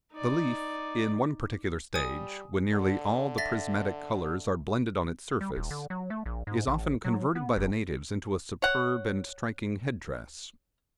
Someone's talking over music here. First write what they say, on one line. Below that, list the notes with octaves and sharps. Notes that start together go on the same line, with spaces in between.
The leaf, in one particular stage, when nearly all the prismatic colours are blended on its surface, is often converted by the natives into a superb and striking head-dress.
D#4 D5
G3 G#5 D#6
D3
E5 A6 A#6
G3
D#1
D3
F#3
A3
A#1
G#2
A1
F#3
B3
F1
C#5 F#5